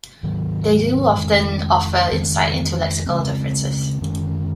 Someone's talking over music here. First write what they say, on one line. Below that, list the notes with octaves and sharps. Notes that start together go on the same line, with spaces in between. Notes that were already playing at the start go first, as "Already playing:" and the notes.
They do often offer insight into lexical differences.
G#2 D#3 F#3
F2 D#3 G#3
F2 D#3 G#3
C#3 G#3 C4
F#2 D#3 G#3 C#4